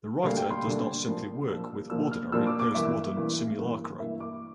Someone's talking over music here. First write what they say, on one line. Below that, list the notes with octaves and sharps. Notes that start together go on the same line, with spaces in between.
The writer does not simply work with "ordinary" postmodern simulacra.
D2 D3 G3 A#3 D4 F5
G5
C6
D2 D3 G3 A#3 D4
A#2 F3 A#3 D4
A#2 F3 A#3 D4 E6
A#2 F3 A#3 D4 E6
F6
A#2 F3 A#3 D4 E6
D6
D6
G2 E3 A#3 E5
G2 E3 A#3
G2 E3 A#3
G2 E3 A#3 E5
D6